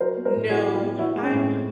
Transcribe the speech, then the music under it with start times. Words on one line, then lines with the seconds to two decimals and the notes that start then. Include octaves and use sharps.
No, I'm
0.01 F#3 A#4 C5
0.17 B3
0.25 A#4 C5
0.34 A2
0.50 E4 F#4 G#4
0.67 F#3
0.74 F4 G4
0.82 B3
0.99 F3 E4 F#4
1.15 G#3
1.23 C#4 D#4
1.32 A2
1.47 C4